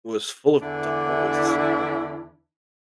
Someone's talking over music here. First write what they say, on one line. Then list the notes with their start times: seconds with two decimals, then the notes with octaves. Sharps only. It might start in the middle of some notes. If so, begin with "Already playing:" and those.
was full of dolls.
0.59 E2 D3 E3 D4 E4